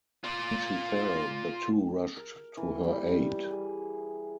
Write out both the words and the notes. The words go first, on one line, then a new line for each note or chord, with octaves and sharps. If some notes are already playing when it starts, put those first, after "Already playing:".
When she fell the two rushed to her aid.
F4 D5
A#4
E3
G3
G#4